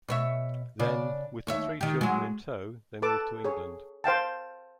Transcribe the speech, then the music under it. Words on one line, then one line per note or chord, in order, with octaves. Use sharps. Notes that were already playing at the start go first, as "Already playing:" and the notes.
Then with the three children in tow, they moved to England.
B2 C#5 E5
C#3 D4
D#2 C#5 E5
D#3 G4
F#3 G#3
A4 B4 A5 D6
G#4 C#5
C5 F5 G5 A5